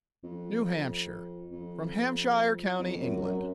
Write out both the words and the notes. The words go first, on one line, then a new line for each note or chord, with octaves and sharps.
New Hampshire--From Hampshire county, England.
F2
F2
F2
F#2
F#2